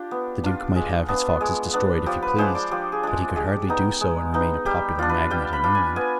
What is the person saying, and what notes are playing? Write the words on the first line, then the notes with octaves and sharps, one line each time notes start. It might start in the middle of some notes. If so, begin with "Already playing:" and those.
The Duke might have his foxes destroyed if he pleased, but he could hardly do so and remain a popular magnate in England.
Already playing: D4 F4 G4
B3
D4 F4
G#3
B3 D4
G#3
B3 D4
F3 G4
B4
G#3 D4 C5
D5
F3 G4
G#4
G#3 D4
G#3 G4
B3 D#4
G#3
B3 D#4
G3 G4
D4 F4
B4
G3 G5
B5
D4 F4
G#5
B3 G#5